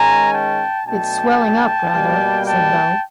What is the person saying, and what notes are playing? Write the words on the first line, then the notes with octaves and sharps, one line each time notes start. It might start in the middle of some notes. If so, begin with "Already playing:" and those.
"It's swelling up rather," said Beau.
Already playing: D#3 G#3 C#4 G#5 A#5
G5 A5
B2 F#3 A3 D4 G5 A5
B2 G3 A#3
G5 A5